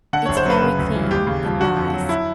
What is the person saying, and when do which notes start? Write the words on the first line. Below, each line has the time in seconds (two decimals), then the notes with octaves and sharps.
"It's very clean and nice."
0.13 D3 F#5
0.26 F#1 C#5
0.37 C5
0.45 F#2 B4
0.62 C#3
0.78 D2
0.95 E3
1.11 D#2 G4
1.27 C#3
1.44 F3
1.60 D3 F#4
1.77 F2
1.93 F#3
2.09 E4